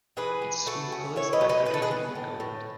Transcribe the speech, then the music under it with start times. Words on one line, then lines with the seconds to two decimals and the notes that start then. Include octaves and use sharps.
Its school colors are green and gold.
0.17 E3 G#4 B4
0.42 E3
0.66 A3 F#4 A4
0.92 C#4
1.16 E4 A4 C#5
1.33 B4 D#5
1.41 F#3
1.49 B4 D#5
1.66 E3 B4
1.74 A4
1.82 G#4 B4
1.91 B3
2.15 A2
2.40 A2